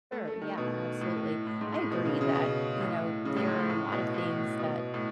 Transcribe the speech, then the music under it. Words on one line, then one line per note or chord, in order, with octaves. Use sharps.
Sure, yeah, absolutely, I agree that, you know, there are a lot of things that
A3
A3
D#3
B2
A2
A2
G#2
A2
B2
C#3
C#3
B2
A2
C#3
A2
G#2
A2
A2
B2
A2
B2
A2